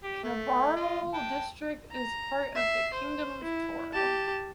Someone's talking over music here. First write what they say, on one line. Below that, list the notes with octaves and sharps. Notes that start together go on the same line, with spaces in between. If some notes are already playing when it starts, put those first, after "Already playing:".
Kabarole District is part of the Kingdom of Toro.
G4
A3
F4 D#5
G5 A5
A#5
E5 C7
C5
E4
G4 A5